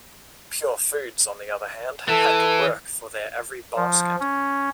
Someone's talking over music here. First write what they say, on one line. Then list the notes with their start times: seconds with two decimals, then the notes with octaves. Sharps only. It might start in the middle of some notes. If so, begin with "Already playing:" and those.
Purefoods, on the other hand, had to work for their every basket.
2.09 E3 A4
3.76 F3
4.20 C#4